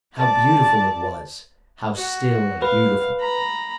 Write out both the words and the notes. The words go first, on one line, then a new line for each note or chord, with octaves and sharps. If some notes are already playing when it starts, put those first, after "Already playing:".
How beautiful it was! how still and beautiful!
D5 A5
F#4
B4 F5
A#5 B5